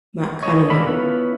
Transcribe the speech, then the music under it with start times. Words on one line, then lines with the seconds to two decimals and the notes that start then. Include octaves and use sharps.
Matt Canavan.
0.43 C#5 D#5
0.70 D3 D#3 A#3 A4 B5
0.86 B3 C#4 E4 F4 B4